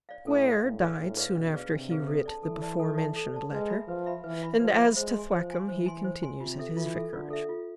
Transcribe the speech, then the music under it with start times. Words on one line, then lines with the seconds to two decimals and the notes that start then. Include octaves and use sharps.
Square died soon after he writ the before-mentioned letter; and as to Thwackum, he continues at his vicarage.
0.09 D5 F5
0.27 A2 A4
0.45 D5 F5
0.63 A2 D4
0.81 G#4 B4 D5 F5
0.99 A2 D4
1.18 G#4 B4 D5 F5
1.35 B2 D4
1.53 G#4 B4 D5 F5
1.71 C3 D4
1.90 G#4 B4 D5 F5
2.08 A4
2.26 D5 A5
2.43 E3 A4
2.62 D5 A5
2.80 A4
2.97 D5 A5
3.16 A4
3.33 D5 A5
3.52 G#3 B4
3.70 E5 B5
3.88 F3 B4
4.06 E5 B5
4.24 E3 B4
4.42 E5 B5
4.60 F3 B4
4.78 E5 B5
4.96 G#3 C5
5.14 C6
5.19 G#5
5.32 F3 C5
5.50 G#5 C6
5.68 E3 C5
5.86 G#5 C6
6.04 C5
6.23 G#5 C6
6.41 C3 F4
6.59 A4 E5
6.77 E3 F4
6.95 A4 E5
7.13 D3 F4
7.30 A4 E5
7.49 F4